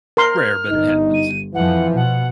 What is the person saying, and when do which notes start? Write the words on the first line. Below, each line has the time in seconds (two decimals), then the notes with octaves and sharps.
Rare, but it happens.
0.17 A#4 C6 F6
0.70 G1 D#4
1.13 D#7
1.54 F2 E3 F3 F#5
1.95 B2 F#5